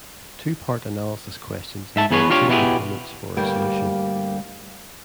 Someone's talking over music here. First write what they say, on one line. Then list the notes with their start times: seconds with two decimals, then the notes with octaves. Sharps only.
Two-part analysis questions involve two components for a solution.
1.96 G#2 E5 A5
2.11 E2 B3 G#4 B4 C#5
2.30 D4 F4 G4 C#5
2.48 B2 B3 E4 G4 G#4
3.37 D2 G2 G3 A#3 G4